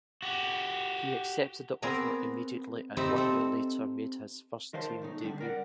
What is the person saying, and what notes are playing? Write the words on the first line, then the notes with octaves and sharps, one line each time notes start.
He accepted the offer immediately and one year later made his first team debut.
F#4 G4
B3 C4 G#4 A#4 D5
G3 C4 D#4 D5 E5
C4 A4
D#3 A#4 C5 F5 A5
B1 A3 D#4
D3 G3 A3 C#4 D4
A#4 D5 F#5